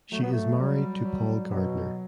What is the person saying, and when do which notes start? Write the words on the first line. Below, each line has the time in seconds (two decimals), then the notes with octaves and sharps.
She is married to Paul Gardner.
0.12 F#3 A3
0.22 B3
0.33 A3
0.58 F#3 G3
1.05 F#3
1.51 B2 F#3